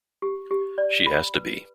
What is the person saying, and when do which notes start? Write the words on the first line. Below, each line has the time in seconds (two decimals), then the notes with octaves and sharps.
She has to be.
0.22 G4
0.51 G4
0.78 D5
1.06 B5
1.34 B4